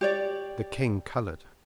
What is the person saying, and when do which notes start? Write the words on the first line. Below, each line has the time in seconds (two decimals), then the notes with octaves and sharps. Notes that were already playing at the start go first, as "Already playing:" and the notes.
The king colored.
0.01 G4 C#5 D5